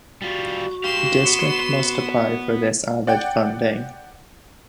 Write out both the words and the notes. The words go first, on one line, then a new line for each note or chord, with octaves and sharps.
The District must apply for this added funding.
G3 F4 F#4
G4 F5 C6 E7
B3
D5 F#5 G5